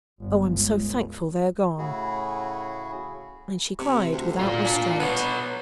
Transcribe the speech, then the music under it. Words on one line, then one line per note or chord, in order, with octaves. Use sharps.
Oh, I am so thankful they are gone!' And she cried without restraint.
G1
C#2
A2 C#3 E4 F#4 G#4
C3
D2
F4 D5
D4
B3 B4 C#5